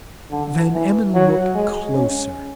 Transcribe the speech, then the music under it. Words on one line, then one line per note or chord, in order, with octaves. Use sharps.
Van Emmon looked closer.
D3
E3
F#3
G#3
C#4